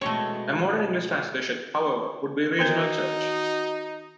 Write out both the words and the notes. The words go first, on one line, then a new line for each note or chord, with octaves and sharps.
A modern English translation, however, would be "regional church".
B2 G#3 A3 C4 C#5
D#3 B3 D#4 F#4 A#4